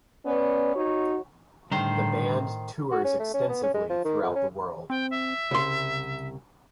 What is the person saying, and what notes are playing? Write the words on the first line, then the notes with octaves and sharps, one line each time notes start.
The band tours extensively throughout the world.
B3 C#4 B4 D5
D#4 F#4 C#5
A2 D3 D#3 G3 C5 A#5
F#4
C#4
A3
C#4
B3
C#4
G#3
F3
D#3
F2
C#4
C4 G5
E5
C2 C#3 C6